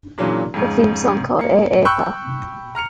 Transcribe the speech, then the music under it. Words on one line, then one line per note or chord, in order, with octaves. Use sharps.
A theme song called Ei Ei Puh!
A#2 C#3 E3 F#3 D4
F2 G#2 C#3
A#3 C#7
G5 B5 C#6 E6 F#6 G6
A#5 F6 C#7 F7